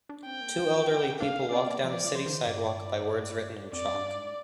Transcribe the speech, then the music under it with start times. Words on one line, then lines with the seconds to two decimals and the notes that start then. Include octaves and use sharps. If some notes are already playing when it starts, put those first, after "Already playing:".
Two elderly people walk down a city sidewalk by words written in chalk.
0.09 D4
0.26 C4 G5
0.41 A#3
0.57 D4
1.20 D4 F5
1.52 C4 D5
1.67 A#3
1.84 F3 D5
2.04 F3
2.15 C5
2.26 D#3
2.46 G2 D5
3.73 F2 D5
3.94 G2
4.15 G#2